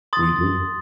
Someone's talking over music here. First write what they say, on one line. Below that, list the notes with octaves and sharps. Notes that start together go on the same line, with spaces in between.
We do.
C6 D#6 A6